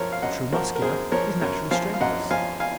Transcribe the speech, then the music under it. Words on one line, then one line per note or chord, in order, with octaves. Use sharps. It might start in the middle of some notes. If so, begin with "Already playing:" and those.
The true Muscular is naturally strenuous.
Already playing: F#2 F3 A#4 C#5
F5
F#2 D#5 F#5
F3 F#4 A#4
A#4
F#2 G#4 C5
F3 A#4 C#5
F#2 A#4 C#5
F3 F5 G#5
F5
F#2 D#5 F#5
F3 F5 G#5
F5 G#5